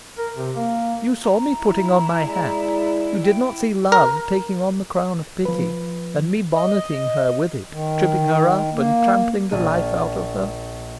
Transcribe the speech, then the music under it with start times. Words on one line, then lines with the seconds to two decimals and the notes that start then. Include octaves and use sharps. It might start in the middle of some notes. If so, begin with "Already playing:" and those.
You saw me putting on my hat; you did not see love taking on the crown of pity, and me bonneting her with it, tripping her up and trampling the life out of her.
0.18 A#4
0.37 C3
0.56 A#3
1.24 A#5
1.53 E4
2.24 G#3 G#4 D5
3.23 G5
3.92 A#4
5.45 F3 B4
6.55 D#5
7.71 D#3
8.73 A#3
9.49 A#1 D#7